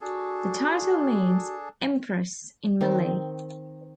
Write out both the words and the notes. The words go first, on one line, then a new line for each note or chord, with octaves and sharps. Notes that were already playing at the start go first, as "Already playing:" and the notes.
The title means 'Empress' in Malay.
D4 F#4 G#4 A4
D#3 C4